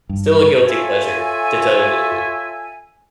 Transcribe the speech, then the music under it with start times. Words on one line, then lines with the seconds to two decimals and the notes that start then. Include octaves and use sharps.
still a guilty pleasure, to tell you the truth.
0.09 G2
0.66 F4 A4 C#5 E5 G#5